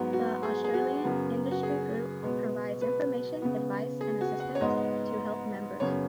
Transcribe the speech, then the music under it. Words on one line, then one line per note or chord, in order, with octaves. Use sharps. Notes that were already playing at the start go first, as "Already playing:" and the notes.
The Australian Industry Group provides information, advice and assistance to help members.
Already playing: G#2 F#3 B3
F#4
G#4
G#4
F#4
F#2 C#3 F#3 B3
F#4
G#4
B2 G#3 B3
B4
C#3 B3
G#4
F#4
F#5
C#5
G#2 G#3 B3 D#5
F#2 C#3 B3 C#5